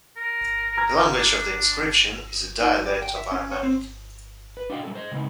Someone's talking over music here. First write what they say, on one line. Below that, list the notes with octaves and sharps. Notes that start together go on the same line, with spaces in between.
The language of the inscription is a dialect of Aramaic.
A#4
A#5 F6 G#6
D4
D#4
D5
G5
E5
C#4
C#5
C4
B4
D4 F#4 D#5 F5 G5
G3 C#4 A4
C5 D#5
C#3 G#3 B3 C4 D#4